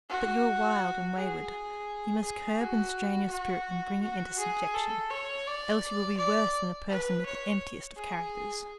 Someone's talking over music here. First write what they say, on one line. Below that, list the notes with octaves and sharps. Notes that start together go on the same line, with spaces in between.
But you are wild and wayward, you must curb and strain your spirit and bring it into subjection, else you will be worse than a person with the emptiest of characters.
F#4
G#4
G#4
F#4
F#4
F#4
G#4
A4
C#5
D5
D5
B4
C#5
G#4